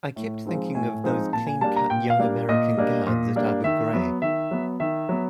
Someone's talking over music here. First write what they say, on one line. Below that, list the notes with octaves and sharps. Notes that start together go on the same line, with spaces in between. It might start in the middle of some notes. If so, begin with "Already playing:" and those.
I kept thinking of those clean-cut young American guards at Abu Ghraib.
A2
F3 G#3 C4 D#4
A2 G#5
F3 G#3 C4 D#4
A#2 A5
G#5
G3 A#3 D4 A5
A#5
A#2 G5
F5
G3 A#3 D4
A#2 D#5
G3 A#3 D4
A#2
G3 A#3 D4
D#3 E5
F#3 B3
D#3 E5
F#3 B3
D#3 E5
F#3 B3